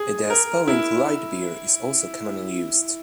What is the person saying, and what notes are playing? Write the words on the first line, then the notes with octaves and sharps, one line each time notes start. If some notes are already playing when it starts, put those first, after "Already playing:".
The spelling "lite beer" is also commonly used.
Already playing: G#4
A#4
E4